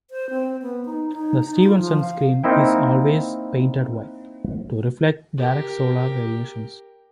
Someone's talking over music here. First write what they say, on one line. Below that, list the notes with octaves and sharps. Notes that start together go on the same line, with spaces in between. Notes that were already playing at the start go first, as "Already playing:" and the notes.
The Stevenson Screen is always painted white, to reflect direct solar radiations.
C5
C4
B3
D#4
D#4
D#4
F4
F3
F5
A#3 C4 D#4 E4 G5
G4 A#4